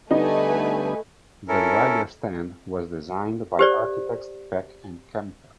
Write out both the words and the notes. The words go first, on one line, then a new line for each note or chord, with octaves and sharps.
The Ryder Stand was designed by architects Peck and Kemter.
D3 G3 A3 B3 D#4 B4 G#5
C#4 E4 A4 A#4
G4 C5 D5